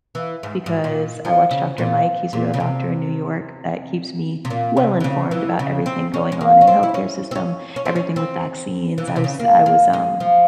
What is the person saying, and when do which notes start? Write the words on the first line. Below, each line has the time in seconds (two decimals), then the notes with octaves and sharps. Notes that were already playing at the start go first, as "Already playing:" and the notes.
because I watch Dr. Mike. He's a real doctor in New York that keeps me well-informed about everything going on in the healthcare system, everything with vaccines. I was I was, um,
0.15 E3
0.43 G#2
0.66 G#2
0.84 A#2
1.25 F3
1.51 C#3
1.78 A#2
2.33 A#2
2.54 C#3
2.60 C3
4.45 C3
4.50 A#2
4.77 C3
5.00 E3
5.04 C#3
5.31 E3
5.59 C#3
5.86 C4
6.14 C#4
6.32 G#3
6.41 A#3
6.61 C#4
6.67 C4
6.83 E4
6.94 C#4
7.31 C4
7.35 C#4
7.76 C#4
7.85 C4
7.95 C#4
8.16 C4
8.98 E3
9.07 C#3
9.16 C3
9.24 C#3
9.39 A#3
9.66 A#3
9.93 G#3
10.20 F3